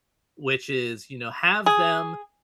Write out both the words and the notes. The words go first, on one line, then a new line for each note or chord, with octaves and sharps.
which is, you know, have them
G#4